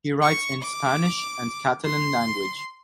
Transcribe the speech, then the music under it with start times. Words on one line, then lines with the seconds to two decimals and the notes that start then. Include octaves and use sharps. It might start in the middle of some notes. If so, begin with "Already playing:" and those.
He writes in Spanish and Catalan language.
0.22 C#6
0.62 D6
1.85 C6